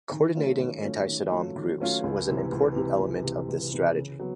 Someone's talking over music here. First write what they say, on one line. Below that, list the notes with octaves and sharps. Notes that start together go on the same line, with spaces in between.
Coordinating anti-Saddam groups was an important element of this strategy.
D#3
F#3 A3 C#4 F4
D#3
F#3 A3 C#4 F4
D#3
F#3 A3 C#4 F4
D#3
F#3 A3 C#4 F4
C#2
C3 E3
C#2
C3 E3
C#2
C3 E3
C#2
C3 E3
C#3
F#3 B3